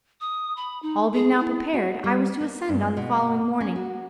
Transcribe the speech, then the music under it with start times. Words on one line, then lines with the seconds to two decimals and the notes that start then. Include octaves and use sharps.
All being now prepared I was to ascend on the following morning.
0.20 D#6
0.57 B5
0.83 D#4
1.13 G#4
1.39 E4
1.73 F#4
2.04 G3
2.41 A#3
2.69 G2
2.97 B2
3.61 C#4
3.76 F#4